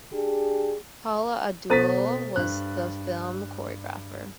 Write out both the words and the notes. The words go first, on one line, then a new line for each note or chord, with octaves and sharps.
Paula Abdul was the film choreographer.
D4 G4 G#4
B2 A4 C5 A#5 A6 B6
G2 F#6